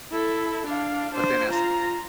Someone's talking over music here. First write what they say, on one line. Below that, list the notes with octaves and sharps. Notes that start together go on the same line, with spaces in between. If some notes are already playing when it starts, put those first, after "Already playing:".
But then as
E4 A4
D4 F5
D4 C5
F4 A#5